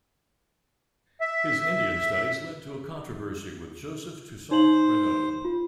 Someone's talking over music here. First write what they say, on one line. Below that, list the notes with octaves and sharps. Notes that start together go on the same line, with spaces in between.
His Indian studies led to a controversy with Joseph Toussaint Reinaud.
E5
D#4 C5 F#7
F4